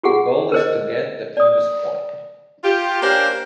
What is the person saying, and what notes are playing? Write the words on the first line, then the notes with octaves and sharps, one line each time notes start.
The goal is to get the fewest points.
F4 G4 G#4 F#5
A#4 C5 D#5
D5 D#6
F4 G4
A#3 C#4 D4 G4 C5